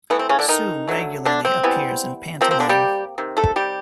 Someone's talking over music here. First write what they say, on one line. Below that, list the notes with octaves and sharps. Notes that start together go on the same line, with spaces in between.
Sue regularly appears in pantomime.
E3 A3 B3
C4
C#3 C#4
D3 D4
D#3 D#4
D3 F#3 A3
D3 D4
C4
E3 G3 B3
C3 F3 A#3 C4
C4
D3 D4
G3 G4
C3 D#3
A3 A4
G3 G4